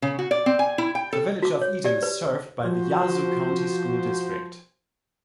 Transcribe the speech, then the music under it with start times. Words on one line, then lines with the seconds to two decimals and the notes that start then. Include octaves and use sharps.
The Village of Eden is served by the Yazoo County School District.
0.02 C#3
0.19 F#4
0.31 D5
0.46 C4
0.59 G#5
0.78 E4
0.95 G5
1.13 A4
1.43 F#4 D6
1.62 C#5
1.85 G4 D5
2.02 B4
2.63 F3 F#4 C5